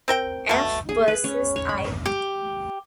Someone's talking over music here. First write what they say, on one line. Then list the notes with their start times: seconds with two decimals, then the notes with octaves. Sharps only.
F. versus I.
0.08 C4 A#4 G5
0.49 B2 A3
0.89 G#4
1.08 B4
1.24 C#4
1.56 C#5
1.69 B5
2.06 G4